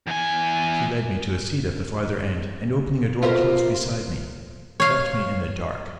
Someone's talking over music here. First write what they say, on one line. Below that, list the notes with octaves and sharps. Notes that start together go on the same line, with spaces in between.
She led me to a seat at the farther end, and opening a door close beside me, left me in the dark.
E2 G#5
F4 A#4 C5 E5
C#5 F5